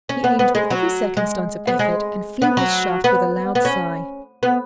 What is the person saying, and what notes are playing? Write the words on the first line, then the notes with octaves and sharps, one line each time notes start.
He aimed with every circumstance of effort, and flew his shaft with a loud sigh.
C#4
B3
B3
G#3
F#3
G#3
B3
G#3
B3
F#3
B3
B3
C#4
B3